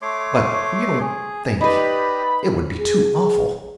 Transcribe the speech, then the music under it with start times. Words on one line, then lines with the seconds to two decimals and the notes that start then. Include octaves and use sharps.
"But you don't think--it would be too awful!"
0.02 A3 C#5 C6 D6
1.01 G#4
1.61 D#4 G4 B4 D5 D#5 B5
2.78 G#4